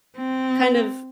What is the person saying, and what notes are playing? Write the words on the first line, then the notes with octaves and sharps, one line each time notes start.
kind of
C4